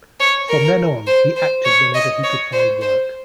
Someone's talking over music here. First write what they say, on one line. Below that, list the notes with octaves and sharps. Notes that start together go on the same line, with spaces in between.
From then on he acted whenever he could find work.
C#5
A#4
C5
C5
C#5
D#5
C#5
C5
C5